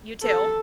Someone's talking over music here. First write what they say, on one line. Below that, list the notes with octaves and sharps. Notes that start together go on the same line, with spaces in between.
You too.
A4